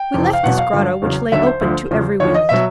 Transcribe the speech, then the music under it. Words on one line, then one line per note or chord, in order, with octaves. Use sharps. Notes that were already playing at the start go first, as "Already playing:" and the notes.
We left this grotto which lay open to every wind.
Already playing: G5
F2 C3 E3
F5
E2 B2 F#3 F#5
F5
G2 D3 F3
E2 C#3 F#3
D#2 D3 F#3 E5
C5
D2 D3 F3
E2 C#3 F3
D#2 D3 F3 C#5
D#5
B2 F#3 E5